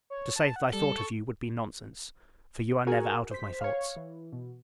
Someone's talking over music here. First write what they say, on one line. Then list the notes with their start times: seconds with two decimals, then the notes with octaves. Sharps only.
To say that I thought of you, would be nonsense; for, you are never out of my thoughts.
0.10 C#5
0.36 A5
0.56 F#5
0.73 G3 A4
0.97 C#6
2.87 F#4 G#4 A#4 F#5 G#5
3.31 C5 B6
3.61 C#5 F5
3.96 E3
4.32 B2